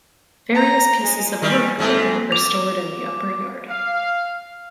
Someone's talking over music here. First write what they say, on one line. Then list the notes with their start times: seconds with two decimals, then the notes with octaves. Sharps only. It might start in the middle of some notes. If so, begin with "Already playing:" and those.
Various pieces of work equipment were stored in the upper yard.
0.54 A#5
1.04 G#3
1.42 D#3 G3
1.79 G#2 G#3 A3 C4
2.32 D6 F7
3.69 F5